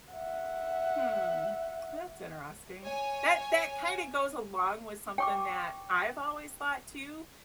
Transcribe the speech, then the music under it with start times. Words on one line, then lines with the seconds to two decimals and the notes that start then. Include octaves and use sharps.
Mm, that's interesting, that that kinda goes along with something that I've always thought too,
0.13 E5 F#5
2.85 C#5 G#5
5.18 G5 C#6 D6